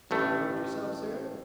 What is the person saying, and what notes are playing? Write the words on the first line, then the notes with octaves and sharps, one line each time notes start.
"Did you hurt yourself, sir?"
A1 G2 A3